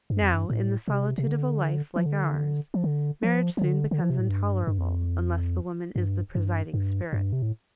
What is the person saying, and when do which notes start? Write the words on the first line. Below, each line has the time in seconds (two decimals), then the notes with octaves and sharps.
Now, in the solitude of a life like ours, marriage soon becomes intolerable unless the woman is the presiding spirit.
0.10 G2
0.21 F2
0.34 G2
0.50 A2
0.88 C3
1.18 C3
1.27 D3
1.96 F3
2.06 D3
2.74 F3
2.84 D3
3.23 F3
3.57 F3
3.61 D3
3.91 D3
4.01 F3
4.10 C3
4.19 A2
4.29 G2
4.67 G2
4.78 F2
5.96 G2
6.35 G2
6.74 G2
7.13 G2
7.33 C3
7.42 A2